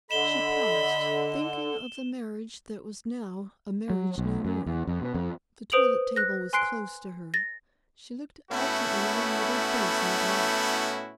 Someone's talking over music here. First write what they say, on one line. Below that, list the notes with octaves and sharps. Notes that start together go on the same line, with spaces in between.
She paused, thinking of the marriage that was now a marriage no more. The toilet-table was close to her; she looked absently at her haggard face in the glass.
D3 D#5 B5 E7 G7
F#3
B1
F#2
E2
F2
B2
F2
B4 C5 D#6 D7 F7 F#7
F#6 A#6
G#5 C6 F#6 C7 D7
A6 A#6
A2 A3 B3 C#4 E4 F#4